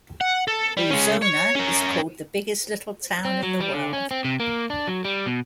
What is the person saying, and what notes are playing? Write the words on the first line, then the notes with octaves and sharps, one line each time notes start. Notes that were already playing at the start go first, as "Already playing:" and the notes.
Ozona is called the "Biggest Little Town in the World".
F#5
A4
G3
G#3 C#4
C#5
C#4 A#4
C4
F#3
G3
D3
C#4
C4
C3
A#3
D4
F#3
G3
B2